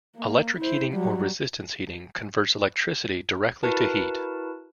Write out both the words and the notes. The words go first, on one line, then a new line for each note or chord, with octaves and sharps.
Electric heating or resistance heating converts electricity directly to heat.
A#3
E4 C5
F#3 G3
E4 F#4 A#4 B4 A5